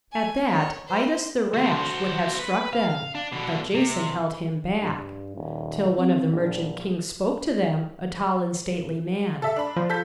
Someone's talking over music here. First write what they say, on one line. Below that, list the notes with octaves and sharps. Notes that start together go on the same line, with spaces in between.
At that Idas the rash would have struck them; but Jason held him back, till one of the merchant kings spoke to them, a tall and stately man.
G#5
C#5
C5
F#4 C5
B4
F5
D4
B2 D3
C3
G2
D#1
C4
A#1
A4 E5
D4 B5
F3
A4 G6 B6